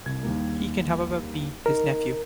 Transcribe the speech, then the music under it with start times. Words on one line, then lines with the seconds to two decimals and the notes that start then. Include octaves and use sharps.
He can however be his nephew.
0.06 C2 G#6
0.23 D#2 G3 A#3
1.66 D#4 A#4